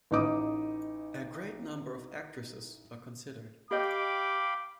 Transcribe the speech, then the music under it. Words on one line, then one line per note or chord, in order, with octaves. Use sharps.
A great number of actresses were considered.
A1 D#4 D6 D#6
G4 D#5 F5 G5 B5 D6